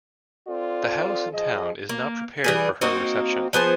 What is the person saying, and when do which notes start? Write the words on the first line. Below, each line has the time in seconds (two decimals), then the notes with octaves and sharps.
The house in town is not prepared for her reception.
0.48 C4 F4 A4 D5
1.32 F3 G#4 D#5
1.89 A#3
2.44 E3 G3 G#4
2.81 A#3 C4 D#4 F#4
3.53 F3 B3 G#4 C5